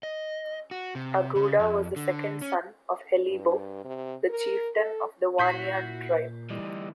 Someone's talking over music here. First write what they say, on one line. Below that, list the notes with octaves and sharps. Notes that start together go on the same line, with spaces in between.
Aguda was the second son of Helibo, the chieftain of the Wanyan tribe.
D#5
F#4
C3
C#3
F2
D3
C#4
G2
C3
A#4
A4
A#2 E4 F#4 F#5 G6 B6 C7
D2 E3 G3 D5 D#5